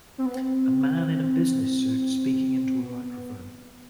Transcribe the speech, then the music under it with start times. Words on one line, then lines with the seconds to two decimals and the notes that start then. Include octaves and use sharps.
A man in a business suit speaking into a microphone.
0.18 C4
0.26 B3
0.35 C4
1.22 C4
2.79 B3